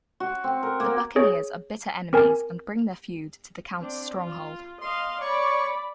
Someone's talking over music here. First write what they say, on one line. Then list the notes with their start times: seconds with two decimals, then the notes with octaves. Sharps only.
The buccaneers are bitter enemies and bring their feud to the Count's stronghold.
0.20 F#4
0.44 C4
0.63 A#4
0.80 A#3
1.16 G#4 C#5
2.13 C4 A#4 G#5
3.80 C4 D4
4.16 F4
4.81 D#5 F5 C6
5.21 C#5 D5 B5 C#6